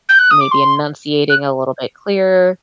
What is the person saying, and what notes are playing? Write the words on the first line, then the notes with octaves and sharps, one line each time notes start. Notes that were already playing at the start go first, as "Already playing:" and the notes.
maybe enunciating a little bit clearer,
G6
F#6
D#6
D6
C6
F#6